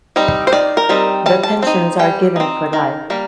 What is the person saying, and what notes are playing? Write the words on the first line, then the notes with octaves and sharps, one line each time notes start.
The pensions are given for life.
G3 C4 D#4
C5
D#3 D5
A#4
G3 C4 D#4
G3 A5
A5
C4 D#4
G3 G5
C4 D#4
D#3
G3 A#3